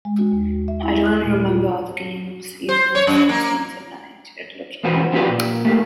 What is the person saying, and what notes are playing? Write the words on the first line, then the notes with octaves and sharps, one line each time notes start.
I don't remember other games using the same scenes at night; it looked creepy.
G#3
F#4
D#2
E5
E4
F#6
A#2
F4
C5
C#5
F#2
A#3
B1 E2 C4 F#4 B4
F3 C4 F#4 G4 B4 D5
A#2
A3 A#3 G4